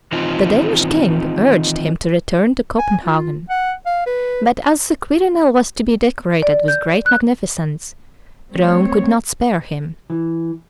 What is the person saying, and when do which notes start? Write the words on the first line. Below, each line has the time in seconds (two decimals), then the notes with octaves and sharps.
The Danish King urged him to return to Copenhagen; but, as the Quirinal was to be decorated with great magnificence, Rome could not spare him.
0.12 D#3 E3 C4 D#4 F4
2.79 G#5
3.04 F4
3.50 F#5
3.86 F5
4.06 B4
6.42 D5
6.68 G6
7.06 F#6
8.51 G3 A3 C4 C#5
10.10 E3